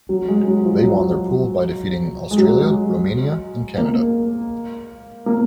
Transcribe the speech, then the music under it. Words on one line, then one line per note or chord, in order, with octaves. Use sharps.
They won their pool by defeating Australia, Romania, and Canada.
F#3
G#3
F#3
F3
F#3
G#3
F#3
G#3
A#3
A#3